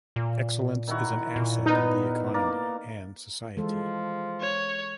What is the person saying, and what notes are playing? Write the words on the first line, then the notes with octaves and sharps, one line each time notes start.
Excellence is an asset of the economy and society.
A#2
D#3 E4 F#4
A#2
B3 D#4 A#4
A#3 A#4 D5
E3 F3 G#3 A4
C#5